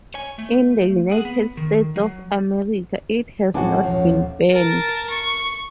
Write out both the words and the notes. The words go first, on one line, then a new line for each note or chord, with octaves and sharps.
In the United States of America, it has not been banned.
C#5 G#5
A3
G#4 F#5
B3
D#3
F#3
A1 G#3 C4 F#4 F#5 G#5 A5 D6
D#1 F#2 F3 C#5
A#4 A5
C#6